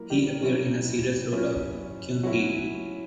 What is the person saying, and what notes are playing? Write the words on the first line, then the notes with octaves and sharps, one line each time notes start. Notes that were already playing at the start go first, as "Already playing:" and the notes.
He appeared in a serious role in Kyun Ki.
Already playing: F#3 A#3 E4 A#4
G3 G4
F#3 C#4 E4
F#3 C#4 E4
F#3 C#4 E4 F#4